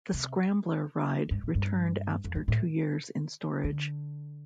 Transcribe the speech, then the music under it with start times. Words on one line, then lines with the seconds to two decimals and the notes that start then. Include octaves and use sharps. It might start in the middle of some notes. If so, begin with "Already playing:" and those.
The Scrambler ride returned after two years in storage.
0.14 C3
1.31 G2
1.43 A2
1.55 G2
2.24 F2
2.35 G2
2.48 A2
3.64 D3